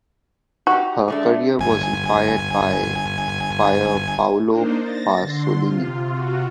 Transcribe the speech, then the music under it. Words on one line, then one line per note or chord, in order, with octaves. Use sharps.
Her career was inspired by Pier Paolo Pasolini.
D#4 F#4 G4
G#3 A3 D4
G1 G#5
A#3 D4 D#4 C5
A6 A#6
D3 C6
C3 F4
C3 F4 F#4